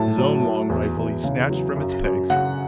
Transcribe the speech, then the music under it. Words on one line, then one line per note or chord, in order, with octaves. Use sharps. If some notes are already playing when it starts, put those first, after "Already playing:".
His own long rifle he snatched from its pegs.
Already playing: A2 F#3 A5
F#3
A2
E2
E2
C#3
F#3
F#2
F#2
C#3 F#5